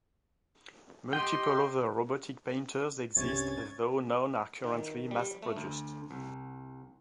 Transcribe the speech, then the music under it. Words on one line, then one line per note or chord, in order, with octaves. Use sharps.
Multiple other robotic painters exist though none are currently mass-produced.
G4 D#5 G5 C6
C2 G2 C3 C#4 C#5 G#6 A6
D#3
G3
A3
D2
C2